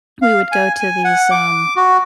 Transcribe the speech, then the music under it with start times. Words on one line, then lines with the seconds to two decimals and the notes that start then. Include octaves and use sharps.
we would go to these, um
0.22 F5
0.52 G#5
0.81 G#5
1.04 F#5
1.31 D6
1.76 F#4